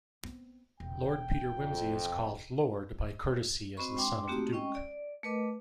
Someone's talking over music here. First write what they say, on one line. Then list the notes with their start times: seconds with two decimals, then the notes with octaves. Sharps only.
Lord Peter Wimsey is called "Lord" by courtesy as the son of a Duke.
0.24 B3 C4
0.80 E1 G5
1.57 F2
3.77 C4 F#4 C5 D#5 B5 C#6
3.97 G#3 D4 G5 C6 D6
4.28 A3 A#3 C4 D#4 F#4 G4
4.52 G#3 C#4 D#5 G5 C#6
4.75 D5
5.23 A3 A#4 B4 D#5 D6